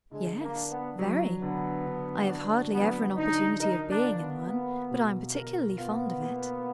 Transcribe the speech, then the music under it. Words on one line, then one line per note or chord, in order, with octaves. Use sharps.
"Yes, very; I have hardly ever an opportunity of being in one; but I am particularly fond of it."
D3 G#3
A#3
D4
B3
F#3
D3 B3
D3
D4
F#3 B3
D3 D#4
D#4 A#4
D4
F4
B3
A#3
B2
A#4
B3 F4
A#3